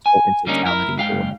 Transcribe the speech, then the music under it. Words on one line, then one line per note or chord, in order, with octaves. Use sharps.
to in totality or
G#5
D3 G3 A#3 C#4 D#4
E4 A#4
G#2 F5 G5